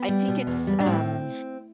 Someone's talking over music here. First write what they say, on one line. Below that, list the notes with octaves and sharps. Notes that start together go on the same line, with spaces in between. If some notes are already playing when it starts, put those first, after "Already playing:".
I think it's, um
Already playing: B3
G3
B2
E2
G3
D4
A2 C4